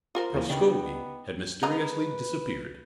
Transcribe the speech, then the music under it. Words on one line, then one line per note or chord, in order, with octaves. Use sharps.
Prascovie had mysteriously disappeared!
F4 A#4 C5
D#2 E3 A#3
C#3 B3 D4 D#4 G4
G#3 B4 D#5 A#5